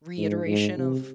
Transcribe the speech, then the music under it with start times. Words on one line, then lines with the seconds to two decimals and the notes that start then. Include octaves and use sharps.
reiteration of
0.18 G#2
0.46 G#2
0.77 C3